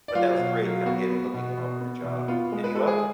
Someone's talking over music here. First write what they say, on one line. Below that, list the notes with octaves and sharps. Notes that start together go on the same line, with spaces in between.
but that was great kinda get hooking him up with the job, and he loved it.
D5
F#3 F4 F5
B2
F#3
B3 F#4
B3
B2
B2
B3
B2
B3 F4
G#3
B4
G#3 A4
G#4